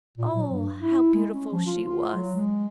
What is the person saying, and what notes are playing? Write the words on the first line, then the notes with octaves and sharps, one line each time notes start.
Oh, how beautiful she was!
A#2
F#3
G2
E4
G#3
C#4
F3
F4
F4
F#3
G#3